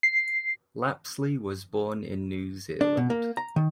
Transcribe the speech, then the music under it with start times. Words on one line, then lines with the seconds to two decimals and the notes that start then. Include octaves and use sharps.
Lapsley was born in New Zealand.
0.03 C7
2.81 D4
2.97 B2
3.10 A#3
3.37 A#5
3.56 D#3